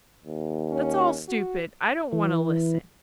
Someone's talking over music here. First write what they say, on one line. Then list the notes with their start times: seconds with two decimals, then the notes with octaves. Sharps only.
That's all stupid, I don't want to listen.
0.25 D#2
0.72 C#4
1.28 F#4
2.13 E3